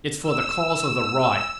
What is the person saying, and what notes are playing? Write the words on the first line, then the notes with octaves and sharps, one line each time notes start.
It's for the cause of the right.'
E6